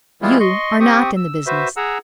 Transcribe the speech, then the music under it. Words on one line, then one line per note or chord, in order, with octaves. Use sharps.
You are not in the business.
E3 G3 G#3 B3 E4 F4
D#5 C6 C#6
C4 G4 C#6 D#6
E6
F#4 B4 C5 E5
G#4 F#5 A#5 E6